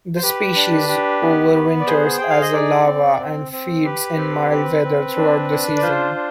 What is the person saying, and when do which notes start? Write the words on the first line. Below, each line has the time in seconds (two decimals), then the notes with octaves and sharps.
This species overwinters as a larva and feeds in mild weather throughout the season.
0.16 C5
0.23 G4 B4
0.55 D4
0.88 G4
1.21 B3
1.54 B3
1.80 D5
1.87 G#4 C5
2.18 G#4 G5
2.30 F5
2.41 D#5
2.53 D#4 D5
2.85 C4
3.19 C4
3.52 C4
3.84 G4 B4
4.18 C4
4.51 C4 B4
4.84 C4
5.16 D4
5.50 D4
5.77 D5
5.82 F4 C5
6.15 D4